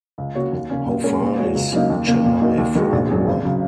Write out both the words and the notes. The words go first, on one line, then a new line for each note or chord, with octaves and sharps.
How far is Chennai from Goa?
C#2
C#3 A#3 F#4 C#5
D#2
C#3 A#3 C#4
A#2
G#3 C#4 A#4 C#5
A#2
G#3 F#4 C#5
C#2
C#3 F#3 A#3 D#4
D#2
C#3 A#3
A#2
A#3 D#4 F#4
D#2
D#3 G#3 F#4
A#1
G#2 F#3 C#4 G#4
G#1
C#3 F#3